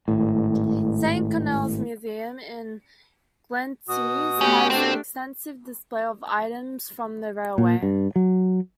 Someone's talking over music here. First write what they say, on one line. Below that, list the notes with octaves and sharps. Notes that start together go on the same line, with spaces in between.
Saint Connell's Museum, in Glenties has an extensive display of items from the railway.
G#1 A2
B2 F#4 D#6
A3 B3 C#4 G4
A3 C4 D4
A#2
G2
F#3